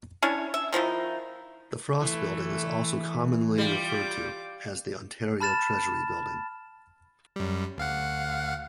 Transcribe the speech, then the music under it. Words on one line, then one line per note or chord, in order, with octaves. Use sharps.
The Frost Building is also commonly referred to as the Ontario Treasury Building.
C#4 D4 E4 C#5
E5
D#3 F3 D#4 E4
E3 A3
G3 F4 D6
A5 B5 F6 A6 E7
F#2 G3
D2 F5 F#5